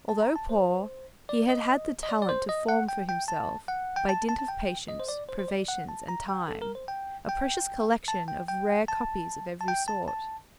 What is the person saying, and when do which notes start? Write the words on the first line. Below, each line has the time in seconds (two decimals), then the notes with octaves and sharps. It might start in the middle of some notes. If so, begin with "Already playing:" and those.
Although poor, he had had the talent to form for himself, by dint of patience, privations, and time, a precious collection of rare copies of every sort.
0.09 A5
0.22 A#5
0.36 A5
0.49 C5
1.29 D5
1.49 D#5
2.03 D#5
2.09 D5
2.22 D5
2.29 C5
2.49 D#5
2.69 F#5
2.89 G5
3.09 G5
3.28 A5
3.68 F#5
3.96 G5
4.09 A5
4.29 A5
4.39 A5
4.48 G5
4.88 D#5
5.00 C5
5.08 D5
5.29 C5
5.39 C5
5.48 D5
5.68 F#5
5.89 A5
6.08 A#5
6.28 G5
6.48 A4
6.62 A#4
6.75 C5
6.88 G5
7.29 G5
8.08 A5
8.28 G5
8.48 G5
8.88 A5
9.61 A5
9.68 G5
9.88 A5
10.08 A5